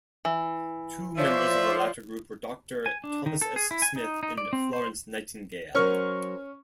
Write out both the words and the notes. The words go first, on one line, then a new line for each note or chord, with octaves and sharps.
Two members of the latter group were Doctor Thomas S. Smith and Florence Nightingale.
E3
F3 C#5 D5 E5 C6
G#5
D4
D#3
A4
G#4
E4
G#5
D#4
D#4
D5
C4
C5
F#3 C#4 A#4 C5 C#6 F6